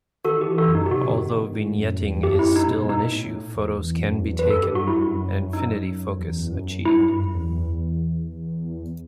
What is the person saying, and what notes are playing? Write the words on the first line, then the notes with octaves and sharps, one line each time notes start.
Although vignetting is still an issue, photos can be taken, and infinity focus achieved.
D#3 F#4 A4
G4
E3
F#4 A4
F#2
D#4
G4
C3 F#4
D#3
D#3
B2
G2
A2
F#2
E2
F#2 G4
E4
F#2
D#4
B2
B2 D#4
A2
E2
E2
F#2
E2
F#2 B4
A4
G2 G4
F#4
F#2 E4
G2
F#2
D#4
E2
F#2
G2 E4
G2
F#2
E2